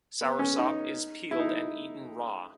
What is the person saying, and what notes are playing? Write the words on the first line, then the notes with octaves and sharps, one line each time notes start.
Soursop is peeled and eaten raw.
B3
C#4
D#4
E4
D#4
E4